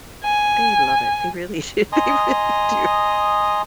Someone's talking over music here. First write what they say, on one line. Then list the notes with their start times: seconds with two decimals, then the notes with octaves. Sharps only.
They love it, they really do they really do,
0.23 G#5
1.92 D#5 G#5 A#5 C6 D#6